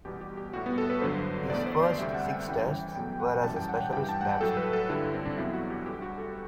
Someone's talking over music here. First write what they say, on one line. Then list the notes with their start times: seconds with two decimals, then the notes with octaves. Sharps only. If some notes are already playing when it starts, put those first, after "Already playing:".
His first six Tests were as a specialist batsman.
0.05 E2 B2 G3 G4
0.21 G4
0.37 G4
0.53 A2 G3 F#4
0.66 B3
0.78 A4
0.90 B4
1.02 G2 D3 F#3 C5
1.50 E2 B2 A3 D5
1.66 C5
1.83 C5
1.98 D2 C3 G3 E5
2.14 F#5
2.31 G5
2.48 F#2 E3 G3
2.96 E2 B2 F#3 A3 G5
3.20 F#5
3.43 F#2 E3 G3 A5
3.56 G5
3.69 F#5
3.80 F#5
3.93 G2 E3 G3 G5
4.09 A5
4.21 F#5
4.25 G5
4.41 A2 F#3 A3 A4
4.57 B4
4.73 A4
4.89 G2 D3 G3 E4
5.14 C4
5.26 D4
5.38 E2 B2 F#3 E4
5.53 F#4
5.70 G4
5.86 D2 D3 G3 G4
6.02 F#4
6.18 A4